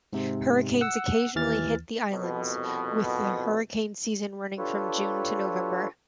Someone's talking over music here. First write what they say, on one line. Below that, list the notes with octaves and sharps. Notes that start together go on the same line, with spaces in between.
Hurricanes occasionally hit the islands, with the hurricane season running from June to November.
G#2 C3
F#5 E6
D#2 E3 F6 A6
C2 F2 B2
D4 F4 G4 A4 B4 C#5